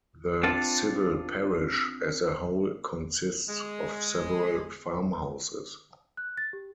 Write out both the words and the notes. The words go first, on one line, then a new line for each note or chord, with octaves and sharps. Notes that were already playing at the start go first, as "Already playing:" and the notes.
The civil parish as a whole consists of several farm houses.
C4 D4 F4 A4
G#3
F#6
A6
G4